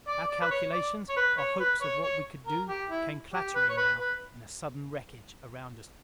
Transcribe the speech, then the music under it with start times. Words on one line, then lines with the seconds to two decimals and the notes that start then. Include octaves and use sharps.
Our calculations, our hopes of what we could do, came clattering now in a sudden wreckage around us.
0.08 D5
0.29 D5
0.41 B4
0.51 C#5
0.72 D5
1.09 C#5
1.17 B4
1.38 C#5
1.60 B4
1.81 C#5
2.03 C#5
2.47 A#4
2.69 G4
2.90 E4
3.34 G4
3.55 B4
3.69 C#5
3.77 B4
3.99 B4